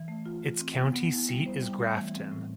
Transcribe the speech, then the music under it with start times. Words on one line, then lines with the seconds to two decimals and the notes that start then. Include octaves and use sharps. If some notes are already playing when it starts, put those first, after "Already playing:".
Its county seat is Grafton.
Already playing: E3
0.08 A3
0.26 F4
0.43 F4
0.59 C4
0.76 B3
0.94 B3
1.12 E4
1.29 G3
1.46 C5
1.63 G3
1.80 A3
1.97 E3
2.14 C4
2.32 A2